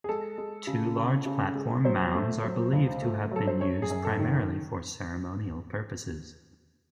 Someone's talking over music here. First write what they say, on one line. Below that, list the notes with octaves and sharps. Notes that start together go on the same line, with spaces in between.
Two large platform mounds are believed to have been used primarily for ceremonial purposes.
G#4
G#3 A4
G#3
C#3
C#3
C#3
G#3
F#3 C5
A3
F#3
C#2
A3
F#3 A4
C5
F#2 C#5
G#4
F#2
A4
D#3